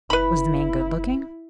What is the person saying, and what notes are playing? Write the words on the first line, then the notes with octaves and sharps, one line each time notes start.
"Was the man good-looking?"
F#1 E4 B4 B5